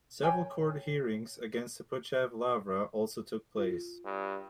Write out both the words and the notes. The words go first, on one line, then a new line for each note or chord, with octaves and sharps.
Several court hearings against the Pochayiv Lavra also took place.
A#4 C#5 G5 G#5
F4
G2